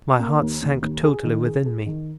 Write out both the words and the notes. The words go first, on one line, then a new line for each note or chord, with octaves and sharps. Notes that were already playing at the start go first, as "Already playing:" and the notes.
My heart sank totally within me.
A#3
D#2
D#2
D#2
G#4
D#3
G#4
G#4
D#3